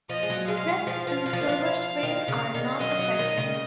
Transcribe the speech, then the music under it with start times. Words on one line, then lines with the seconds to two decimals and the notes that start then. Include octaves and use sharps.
Trips to Silver Spring are not affected.
0.09 F3 D#5
0.23 G#3
0.30 F#3
0.48 G#3 F5
0.68 G#3
0.87 F3
1.07 F3
1.26 F#3
1.33 F3
1.41 D#3
1.49 F3
2.03 D#3
2.28 C#3
2.55 D#3
2.80 F#3 D#5
2.99 F#3
3.19 D#3
3.37 C#3